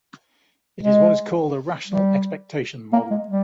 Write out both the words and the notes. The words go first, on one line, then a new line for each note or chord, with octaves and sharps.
It is what is called a rational expectation model.
G#3
G3
A#3
G#3
G3